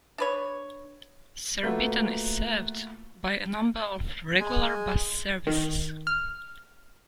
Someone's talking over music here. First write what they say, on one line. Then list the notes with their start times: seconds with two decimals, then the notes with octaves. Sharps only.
Surbiton is served by a number of regular bus services.
0.18 D4 B4 C#5
1.63 A3 A#3 F4 F#4 A4 B4
4.40 G#3 G#5
5.47 D#3
6.07 F6